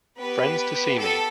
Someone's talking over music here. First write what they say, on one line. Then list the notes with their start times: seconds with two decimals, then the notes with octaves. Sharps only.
Friends to see me!
0.18 B3 G4 B4
0.99 A4